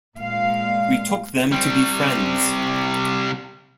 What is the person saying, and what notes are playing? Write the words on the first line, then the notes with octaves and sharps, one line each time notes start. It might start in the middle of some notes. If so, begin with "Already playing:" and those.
We took them to be friends.
A#2 G#3 F5
C3 G3